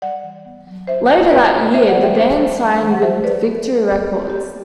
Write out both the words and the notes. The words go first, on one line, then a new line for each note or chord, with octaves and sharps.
Later that year, the band signed with Victory Records.
G3 D5 F#5
E3
B3
F#3
D4 C5 E5
G3
A3 B4 D5
B2
A3 C5 E5
D5 F#5
E3
E5 G5
D4 C5 E5
G3
A3
E3
F#5
A3 C5 E5
F#3 B4 D5
B3
G3
C4
G3
A3 G4